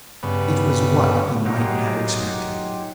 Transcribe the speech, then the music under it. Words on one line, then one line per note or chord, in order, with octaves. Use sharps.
It was what he might have expected.
G2 C#3 B3
F#3 D#4 F4 G4 G#4